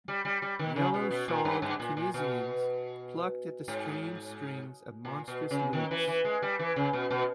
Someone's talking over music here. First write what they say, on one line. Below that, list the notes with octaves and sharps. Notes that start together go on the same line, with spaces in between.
Yellow-shawled Tunisians plucked at the strained strings of monstrous lutes.
G3
G3
G3
D#3
C#3
B2
B2
A#2
G2
G2
A#2
A#2
B2
G#2
A#2
B2
C#3
D#3
E3
E3
G#3
G3
E3
C#3
B2
B2